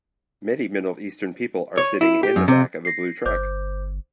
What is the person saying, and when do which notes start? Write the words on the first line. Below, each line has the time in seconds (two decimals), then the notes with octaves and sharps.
Many middle eastern people are sitting in the back of a blue truck.
1.78 C#5
2.01 E4
2.23 G4
2.36 F#2
2.48 C3
2.85 A#6 C7
3.25 G1 C5 D6 G6